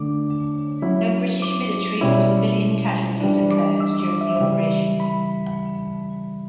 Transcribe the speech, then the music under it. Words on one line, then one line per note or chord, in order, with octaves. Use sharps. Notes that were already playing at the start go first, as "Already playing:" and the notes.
No British military or civilian casualties occurred during the operation.
Already playing: D3 A3 D4 D6
F#3 C#4 E4
D6
B2 G3 C#4 E4
E3 G3 D4
D6
E6
D6
E5
C#3 E3 G3
B5